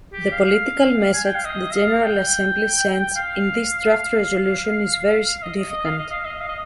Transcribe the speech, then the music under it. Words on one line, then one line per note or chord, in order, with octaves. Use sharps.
The political message the General Assembly sends in this draft resolution is very significant.
G4
F5
G#5
G5
F5
D#5
F5
G5
F5
D#5
D#5
F5
D#5
F5
D#5
F5
D#5